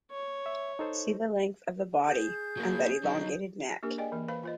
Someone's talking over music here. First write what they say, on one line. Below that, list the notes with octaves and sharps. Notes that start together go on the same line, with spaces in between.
See the length of the body and that elongated neck.
C#5
E5
D#4 A4 C5
G#4 G6
F#3 A#3
F#3 D#4
A#3 D4 G4 A#4
G#4 D5 D#5 G5 G#5
E3 A#3
B4 C5 F5 B5
F4 C5 D#5